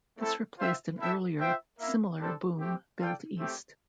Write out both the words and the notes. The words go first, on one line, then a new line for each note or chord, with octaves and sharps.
This replaced an earlier, similar boom built east.
A3 C4 E4 A4
F4 C5 E5 G5
E4 A4 E5 G5
F4 C5 E5 G5
A#3 E4 A#4 E5
G3 D4 A4 C5
A3 C4 G4
F4 A4 D5 G5
A3 C4 G4